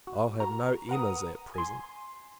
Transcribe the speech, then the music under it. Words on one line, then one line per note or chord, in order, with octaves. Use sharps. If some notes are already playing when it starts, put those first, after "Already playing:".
I'll have no Emmas, at present.
F#4
F#4 A#4 A#5
A#4 B4 F#5 A#5 D#6
G#5 C6